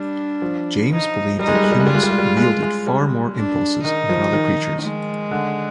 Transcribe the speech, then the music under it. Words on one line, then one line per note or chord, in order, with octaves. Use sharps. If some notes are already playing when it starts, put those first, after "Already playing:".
James believed that humans wielded far more impulses than other creatures.
Already playing: G3 D4
F3
D#4
G3 D#4
G#3
G3
G#3
G3
G#3
G3 F4
G#3
G3
G#3
G3
G#3
G#3
G3
D4
D#3 D#4
F3
D#3
G#3
D3